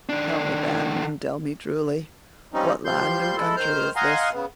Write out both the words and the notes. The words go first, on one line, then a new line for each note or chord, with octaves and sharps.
Tell me, then, and tell me truly, what land and country is this?
D#3 D4
F3 G3 C4 C#4 D#4
F3 G3 C6 G6
G#3 E4 A4
D#3 C5 F6 G6
D#5 F5 F#5 G#5 A#5 C6
C#3 B3